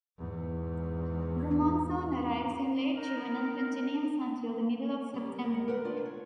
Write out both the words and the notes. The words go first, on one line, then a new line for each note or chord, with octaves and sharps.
The monsoon arrives in late June and continues until the middle of September.
E2 G#2
D#4 A#4
G3 A#3
D#2 A#3 A#4
A#4 B4 F#5
D4 F4 B4
C#5